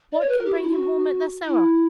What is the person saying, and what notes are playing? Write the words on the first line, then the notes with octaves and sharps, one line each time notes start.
What can bring him home at this hour?
D5
C#5
B4
A#4
G4
F#4
E4
F#4
E4